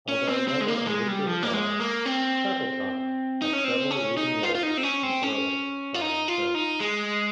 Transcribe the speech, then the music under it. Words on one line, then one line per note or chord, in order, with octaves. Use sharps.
Although never a major star, Chatterton had several leading roles in early silent films.
C#4
C4
C4
G#3
A#3
G#3
G3
F3
A#3
G#3
A#3
C4
D#4
C#4
C4
C#4
D#4
F4
F4
D#4
C4
C#4
C4
C#4
F4
D#4
F4
D#4
G#3